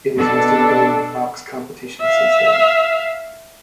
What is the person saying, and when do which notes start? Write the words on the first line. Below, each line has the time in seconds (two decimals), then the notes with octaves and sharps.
It is hosting Golden Fox competition since then.
0.17 B2 D4 A4
2.00 E5 F5